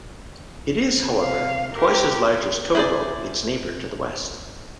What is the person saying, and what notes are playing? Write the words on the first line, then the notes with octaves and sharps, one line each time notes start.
It is, however, twice as large as Togo, its neighbor to the west.
C3 F5
G4 A#4
E4 G#4 B4 C5 D5